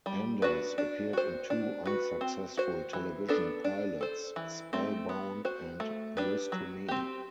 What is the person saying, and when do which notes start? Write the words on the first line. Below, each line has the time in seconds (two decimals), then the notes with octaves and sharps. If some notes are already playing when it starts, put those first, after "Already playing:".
Anders appeared in two unsuccessful television pilots, "Spellbound" and "News To Me".
0.06 G3
0.42 D4 F#4 B4 D5
0.78 D4
1.13 F#4 C5
1.50 D4
1.85 F#4 B4
2.21 C4
2.57 F#4 C5
2.93 E3
3.29 B3 D4 A4
3.64 D4
4.01 A4 C5
4.36 E3
4.73 A3 C4
5.09 B3
5.45 F#4 C5
5.80 A3
6.17 D4 G4 B4
6.52 F#3
6.88 C4 G4